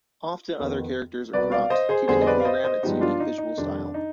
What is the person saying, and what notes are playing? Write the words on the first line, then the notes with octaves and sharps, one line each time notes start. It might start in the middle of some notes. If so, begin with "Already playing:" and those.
Often other characters are cropped, giving the programme its unique visual style.
F2 D#3 B3
C2 B2 B3 B4 D5
D5 F5
C5 D#5
G#4 C5
F2 D3 G3 B3 G#4 C5
D#5
B4 D5
F5
C5 D#5
C5 D#5
G2 F3 G#3 B3 D#4 G4
D4 F4
D#4
D#4
F2 C3 D#3 G3 D4
D#4